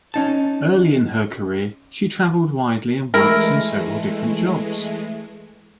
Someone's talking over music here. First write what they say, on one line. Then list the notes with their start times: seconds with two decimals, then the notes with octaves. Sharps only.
Early in her career, she traveled widely and worked in several different jobs.
0.14 C#4 D#4 A5
3.14 E3 G#3 A3 E4 A#4